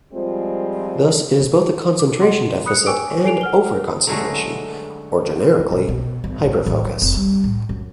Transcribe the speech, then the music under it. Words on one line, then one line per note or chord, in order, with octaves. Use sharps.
Thus it is both a concentration deficit and over-concentration, or generically: hyperfocus.
F3 G3 G#3 C4 F4
D6
D#5 F#5 C6
B5 D#6 F#6 C#7
G5 G#5 C#6 D6 E6 D7
A4 G#5 C7 D7 F7
F#5 F6 G7
D3 F#3 G#3 A3
G#3
B2
B2
G#1
G#1
A1
F#3
F1
G3
A2
F#2